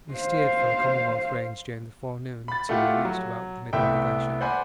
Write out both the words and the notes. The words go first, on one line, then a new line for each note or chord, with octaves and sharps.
We steered for the Commonwealth Range during the forenoon till we reached about the middle of the glacier.
C5 F5
B5 A6
A3 E4 F4 G4 F#5
F#3
C2 A3 B3 E4 E5 G5
C5 D5 F#5 G#5 B5